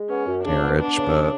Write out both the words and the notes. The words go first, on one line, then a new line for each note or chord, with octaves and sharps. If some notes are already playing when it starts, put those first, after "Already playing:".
marriage, but
Already playing: G#3
B3 C#4
F#2
C#3 D4
B3
B3 D4
C#3
C#3